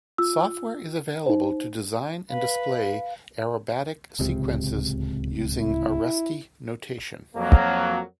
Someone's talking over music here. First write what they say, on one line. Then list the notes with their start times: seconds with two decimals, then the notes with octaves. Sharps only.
Software is available to design and display aerobatic sequences using Aresti notation.
0.18 F4 E6
1.26 D#4 C5
2.30 B4 F5
4.19 D1 C#2 C3
5.59 E4
7.36 F2 F#3 A#3